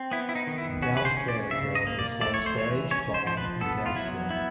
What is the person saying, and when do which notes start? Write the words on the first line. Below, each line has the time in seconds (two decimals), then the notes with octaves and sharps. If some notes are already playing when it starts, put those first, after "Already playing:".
Downstairs there was a small stage, bar and dance floor.
Already playing: C4
0.11 B3 E4
0.29 E4
0.35 D#4
0.47 D#3
0.58 E4
0.82 C#4 F#4
0.97 B4
1.05 C5
1.17 C#4
1.28 D5
1.51 C#3 E5
1.75 D#5
1.87 A#3
1.99 D5
2.21 A3 D5
2.34 C#5
2.46 C5
2.57 E3 C#5
2.91 C#4 C#5
3.14 C5
3.26 F3 C5
3.37 B4
3.61 B3 A4
3.86 F4
3.95 F#3 E4
4.30 B3 E4